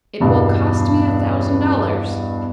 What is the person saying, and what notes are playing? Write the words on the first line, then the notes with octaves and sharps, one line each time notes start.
It will cost me a thousand dollars.
E2 G2 B2